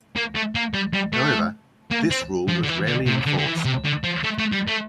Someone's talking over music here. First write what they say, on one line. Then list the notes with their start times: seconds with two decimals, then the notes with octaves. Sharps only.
However, this rule was rarely enforced.
0.16 A#3
0.35 A3
0.55 A#3
0.74 G3
0.94 G3
1.13 A3
1.91 A#3
2.10 C4
2.49 F3
2.64 D3
2.69 E3
2.88 D3
3.07 C3
3.27 D3
3.38 D3
3.46 E3
3.65 C3
3.85 D3
4.04 F3
4.24 A3
4.39 A3
4.52 G3
4.68 A3